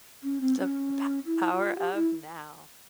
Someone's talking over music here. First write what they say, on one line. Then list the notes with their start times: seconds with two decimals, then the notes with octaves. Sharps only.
The P Power of Now.
0.23 C#4
0.41 C4
0.58 C#4
1.26 E4
1.52 F4
1.77 G4
1.94 E4